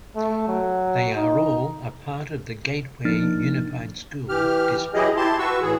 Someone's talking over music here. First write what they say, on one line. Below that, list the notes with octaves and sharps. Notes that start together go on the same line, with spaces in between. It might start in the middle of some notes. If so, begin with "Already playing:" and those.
They are all a part of the Gateway Unified School District.
A3
F#3
D#4
F3 A#3 D4 D#4 F6 A6
E3 G4 F6
E3 F#3 E4 G4 G#4 D#5
E4 G4 A5 C6
F#4 B4 C#6 E6
A2 E3 G#4